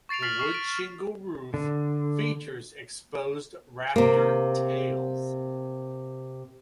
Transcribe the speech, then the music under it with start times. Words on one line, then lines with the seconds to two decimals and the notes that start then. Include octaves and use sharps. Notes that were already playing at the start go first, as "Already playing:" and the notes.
The wood shingle roof features exposed rafter tails.
0.09 C#6 A6 C7 D7 F7
0.22 F6 A6 B6 C7 F7 F#7
0.39 C#6 F6 B6 C7
0.54 D7
1.54 D3
3.96 C3 A#3